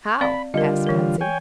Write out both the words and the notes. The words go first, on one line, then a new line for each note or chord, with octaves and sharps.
"How?" asked Patsy.
C4 D5 F5 B5
D3 G3 F4 A#4 D#5
E3 A#4
C#5 G5 G#5